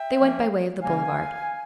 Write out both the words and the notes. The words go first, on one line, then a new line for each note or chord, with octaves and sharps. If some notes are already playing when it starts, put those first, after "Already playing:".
They went by way of the boulevard.
Already playing: E5 G5
F3 A#3 C#4
C#3 G3 A#3 C#4 F5 G#5